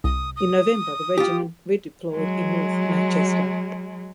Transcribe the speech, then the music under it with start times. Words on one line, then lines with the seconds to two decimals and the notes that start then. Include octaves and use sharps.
In November the regiment redeployed in North Manchester.
0.04 C2 D#6
0.36 D#6
1.18 F4 G4
2.15 F#3 G#3